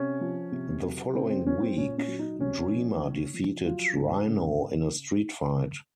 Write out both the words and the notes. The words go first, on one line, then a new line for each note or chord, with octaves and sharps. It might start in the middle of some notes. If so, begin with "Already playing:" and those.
The following week Dreamer defeated Rhino in a Street Fight.
Already playing: C3 C#4
F3
C3
F#3
C#3 C4
C4
F#3 C#4
C4
A#2 C#4
C#4
F#3
D#4
C3 C#4
F3
C#3
F3
F#3 F4
G#2
C#3